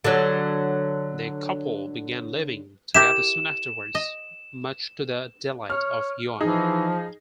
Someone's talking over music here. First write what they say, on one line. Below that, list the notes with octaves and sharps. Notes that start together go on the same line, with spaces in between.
They couple began living together soon afterwards, much to the delight of Yuan.
D3 F#3
E4 G4 A#4 E7
D#5
C#5 F6
E3 F3 D#4 G#4